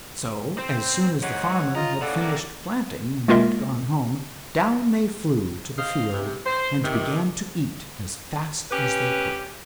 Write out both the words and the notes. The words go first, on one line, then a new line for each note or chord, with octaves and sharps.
So, as soon as the Farmer had finished planting and had gone home, down they flew to the field, and began to eat as fast as they could.
C4 C5
G#2 C#5 F#5
F4 D#5 A#5
A2 C#3 A4 D5 F#5
C3 A#3
G#3 A#3 F4 A#4 D#5 E5
C5 D#5 F5
C3
C5
C3 D#3
C#4 G4 B4